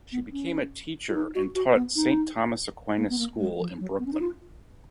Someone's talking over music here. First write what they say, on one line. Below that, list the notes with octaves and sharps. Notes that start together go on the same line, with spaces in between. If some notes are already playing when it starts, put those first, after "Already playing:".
She became a teacher, and taught at Saint Thomas Aquinas School in Brooklyn.
B3
C#4
F4
D#4
F#4
F#4
B3
D#4
A#3
B3
A#3
G#3
F3
F#3
B3
C#4
D#4
F4